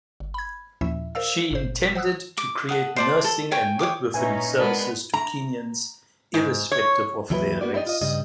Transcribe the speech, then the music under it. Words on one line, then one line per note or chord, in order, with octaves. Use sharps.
She intended to create nursing and midwifery services to Kenyans irrespective of their race.
G1
B5 G#6
D#2 A#2 F3 C#4 E4 E5
A#4 C5 D5 F5 E6
G1 A#2 C5
C5 F#5 D#6 E6 F#6
D6
A4 F#5 D#6
C5 D5 A5
A4
C#5 G5 G#5 C#6
C#5 G5 D6 D#6
A#2 C#4 D#4 B4 E5 G#5
G#3 B3 A#4 D5 A5
A#5
G#2
C#5
D#2 E3 F#3 E4 G#4 B4
A#3 B3 F#4 D5
D#4 E4 G4 C5 D5 D#5
F4 D#5
G2 C#3 G3 D#5